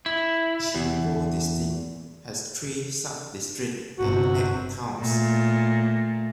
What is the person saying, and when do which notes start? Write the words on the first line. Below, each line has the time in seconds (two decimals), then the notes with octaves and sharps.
Qingpu District has three subdistricts and eight towns.
0.06 E4
0.75 E2
3.98 G1 C3 F#4
4.99 A#2 A3